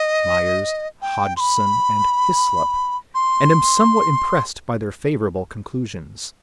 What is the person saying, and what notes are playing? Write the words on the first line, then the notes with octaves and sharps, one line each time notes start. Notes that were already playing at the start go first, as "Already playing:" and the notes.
Myers, Hodgson, and Hyslop, and am somewhat impressed by their favorable conclusions.
Already playing: D#5
G5
C6
B5
C6